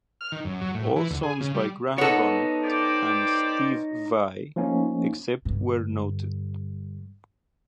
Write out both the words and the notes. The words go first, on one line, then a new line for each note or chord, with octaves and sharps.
All songs by Graham Bonnet and Steve Vai, except where noted.
F6
D#3
F#2
F#3
A2
E3
D2
G#4
C#3
G3
B3 D#4 A4 C#5
G4 C5 D5
F3 A3 A#3 C#4 D#4
G2 D3